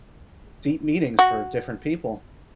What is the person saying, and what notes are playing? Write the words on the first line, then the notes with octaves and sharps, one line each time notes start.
deep meanings for different people,
F#4